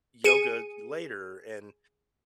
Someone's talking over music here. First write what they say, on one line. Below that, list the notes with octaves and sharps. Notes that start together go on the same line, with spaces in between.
yoga later and
G#4 C#7 D#7